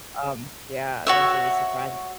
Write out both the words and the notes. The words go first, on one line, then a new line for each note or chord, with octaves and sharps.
um, yeah, that was really surprising.
F#4 C#5 E5